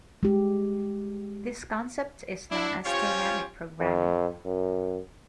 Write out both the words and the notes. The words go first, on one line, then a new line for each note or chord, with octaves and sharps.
This concept is known as dynamic programming.
G#3 G4
D4 E4
F3 C#4 F4 G4 C#5
F2
F#2